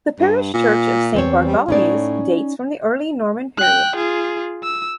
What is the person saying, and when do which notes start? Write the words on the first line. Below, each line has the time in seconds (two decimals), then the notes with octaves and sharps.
The parish church of Saint Bartholomew's dates from the early Norman period.
0.20 G2
0.54 A#2
1.14 E2 C4 C#5
1.45 G3
1.68 A2 C#4 D#4 D5
3.57 G5 F#6
3.96 F4 G#4
4.63 E6